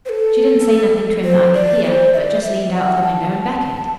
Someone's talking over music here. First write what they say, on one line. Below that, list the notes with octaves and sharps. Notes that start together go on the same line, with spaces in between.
She didn't say nothing to him that I could hear, but just leaned out of the window and beckoned.
C5
A4
C5
D5
D5
C5
E5
D5
E5
F#5
A5